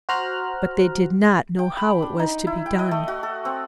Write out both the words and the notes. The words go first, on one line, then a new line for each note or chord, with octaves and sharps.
But they did not know how it was to be done.
F#4 C5 A#5 F6 F#6
G5
B5
D4
D#4
E4
G5
D#5
A3
F#4
A4
C4